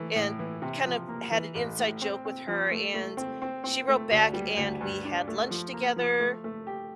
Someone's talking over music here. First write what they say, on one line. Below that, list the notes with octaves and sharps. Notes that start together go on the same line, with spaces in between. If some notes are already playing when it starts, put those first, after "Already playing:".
and kind of had an inside joke with her, and she wrote back and we had lunch together,
Already playing: E3 A3
A2
E3
C3
F3
A#3
E3
A1
A2
C4
C4
F3
A3
A3
C4
C4
C4
A3
D2
G3
D2
G2
D4
A3
F3
A#3
F3
A3
A3
G4